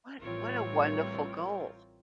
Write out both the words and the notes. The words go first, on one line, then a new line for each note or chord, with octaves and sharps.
What what a wonderful goal, a
A1 E3 G3 C4 F4 A#4 C#5